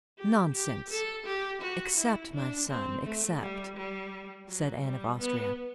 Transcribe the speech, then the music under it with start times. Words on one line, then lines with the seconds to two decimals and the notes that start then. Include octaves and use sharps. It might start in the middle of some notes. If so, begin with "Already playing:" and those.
"Nonsense! accept, my son, accept," said Anne of Austria.
0.18 G4
0.54 G4
0.90 A4
1.26 G4
1.61 F#4
1.97 E4
2.33 D4
2.69 C4
3.04 A3
3.40 G3
3.76 G3
4.48 F#3
4.83 G3
5.19 B3